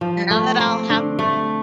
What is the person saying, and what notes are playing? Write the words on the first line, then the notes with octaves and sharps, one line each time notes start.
now that I'll have
F3
A3
C4
D3
A3